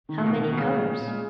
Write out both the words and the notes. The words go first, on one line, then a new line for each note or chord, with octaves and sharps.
"How many covers?"
D#3
A#2
B2 D#3
D#3
B2
C#3 G#3
A#2
A#2
G#3